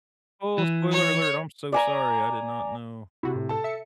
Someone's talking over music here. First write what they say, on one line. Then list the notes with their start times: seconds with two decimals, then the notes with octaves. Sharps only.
Oh, spoiler alert, I'm so sorry. I did not know.
0.58 E3
0.92 C#5
1.72 D5 G#5 A#5
3.23 C3 E4 F#4
3.35 A2
3.49 A4 A5
3.64 E5 C#7